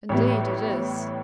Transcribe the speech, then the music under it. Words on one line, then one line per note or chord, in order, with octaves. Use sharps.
"Indeed it is."
A1 A2 G3 B3